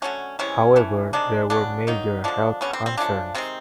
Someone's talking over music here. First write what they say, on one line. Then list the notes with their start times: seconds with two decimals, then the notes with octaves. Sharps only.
However, there were major health concerns.
0.02 D3 F#3 A3 C#4
0.39 C3 E3 G#3 C#4
0.76 E3 A3
1.13 C3 D#3 G#3 D4
1.50 C#3 F#3 B3 D4
1.87 D#3 F#3 A#3 D#4
2.24 D3 F3 G#3 D4
2.61 D3 G3 B3 C#4
2.73 C4
2.86 C4
2.97 C#3 F3 A3 D4
3.34 C3 D#3 G#3 C4